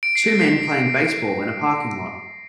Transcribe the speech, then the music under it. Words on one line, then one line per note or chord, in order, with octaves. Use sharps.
Two men playing baseball in a parking lot.
D7
C7
A#6
C7